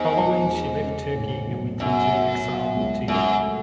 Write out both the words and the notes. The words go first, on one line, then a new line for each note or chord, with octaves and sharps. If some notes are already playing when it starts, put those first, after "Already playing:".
Following she left Turkey and went into exile to Europe.
Already playing: E2 G#2
E1
G#3
C#3
A2
B1
B1 F#2
F#3
B2
C#2
C#2 F#2
A3